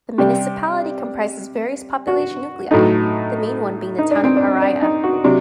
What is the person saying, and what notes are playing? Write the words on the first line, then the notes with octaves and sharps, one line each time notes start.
The municipality comprises various population nuclei, the main one being the town of Araia.
C3 G3 G4
F#4
A2 F#3 A3 D#4
D#4
D4
C4
D4
D4
D#4
F#4
C3 F#3 D4